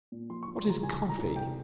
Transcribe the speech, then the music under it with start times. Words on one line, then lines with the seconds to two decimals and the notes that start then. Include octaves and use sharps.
What is Coffee?
0.12 A#2
0.30 F3 C6
0.43 C#6
0.48 F3
0.56 C6
0.65 C#2 A#5
0.83 C2 G#5
1.01 F3
1.10 A#5
1.19 C2
1.36 C3 G5